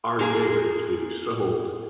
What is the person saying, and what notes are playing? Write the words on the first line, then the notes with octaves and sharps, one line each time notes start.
our data is being sold,
A#3 G#4